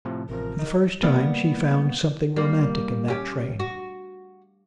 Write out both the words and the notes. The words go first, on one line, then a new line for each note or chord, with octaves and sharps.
For the first time she found something romantic in that train.
A2 C3 F3
A1 C3 F3 A#4
D#4
G3 A#3 B3 D5
G3 A#3
C#4 G4
F#4